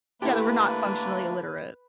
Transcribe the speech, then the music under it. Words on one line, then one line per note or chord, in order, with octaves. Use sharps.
Yeah, that we're not functionally illiterate.
D3 A3 A#3 E4 G4 B4